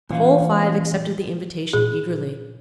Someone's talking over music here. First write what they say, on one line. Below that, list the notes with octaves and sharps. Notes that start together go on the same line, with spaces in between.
The whole five accepted the invitation eagerly.
A#2 E3 C#4 F5
A#2 G#4